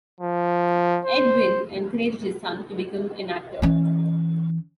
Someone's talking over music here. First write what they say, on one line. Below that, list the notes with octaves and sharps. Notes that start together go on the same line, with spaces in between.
Ed Wynn encouraged his son to become an actor.
F3
C5
E3 C#4